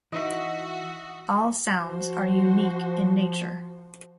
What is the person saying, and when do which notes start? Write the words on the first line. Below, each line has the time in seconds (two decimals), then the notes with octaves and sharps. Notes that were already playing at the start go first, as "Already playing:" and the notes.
All sounds are unique in nature.
0.12 E3 D#4 F#4 D#5 E5
1.77 F3 F#4 C5